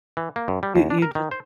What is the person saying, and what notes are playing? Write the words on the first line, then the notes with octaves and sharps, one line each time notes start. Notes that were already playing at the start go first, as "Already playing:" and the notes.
You you ju
E3
A#3
F#2
G3
D#2
D4
A#4
D#3
C5